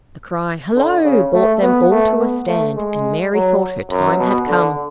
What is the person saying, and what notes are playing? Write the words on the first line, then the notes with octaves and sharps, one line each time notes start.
The cry "Hollo!" brought them all to a stand, and Mary thought her time had come.
D3
C#3
A3
B3
A3
B3
A3
G#3
F#3
F#2
B2
D3